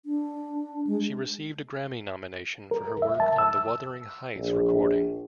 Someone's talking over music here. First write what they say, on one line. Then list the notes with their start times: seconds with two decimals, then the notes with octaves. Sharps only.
She received a Grammy nomination for her work on the "Wuthering Heights" recording.
0.06 D4
0.87 G#3
2.71 A#4
3.02 E5
3.20 A5
3.38 E6
4.36 A#1